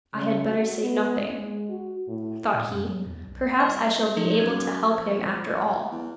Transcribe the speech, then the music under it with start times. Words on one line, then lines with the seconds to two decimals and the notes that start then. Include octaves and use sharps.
'I had better say nothing,' thought he; 'perhaps I shall be able to help him after all.'
0.14 C#3
0.48 F#4
0.80 B3
1.20 G#3
1.69 F#4
2.08 A2
2.54 A2
2.69 F#2
2.86 F#3
3.06 E2
3.27 B1
3.60 C2 D#5
4.17 F3 D#4 A4
4.39 F#2 G#6
4.90 F3
5.92 E2